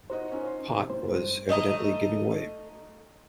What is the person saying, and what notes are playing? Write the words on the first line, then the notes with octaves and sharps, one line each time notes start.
Pott was evidently giving way.
D#4 F#4 C5 D#5
C#4 D#4 F4
C6
C3
A2 C5
G2
A3 D#5 F5 A#5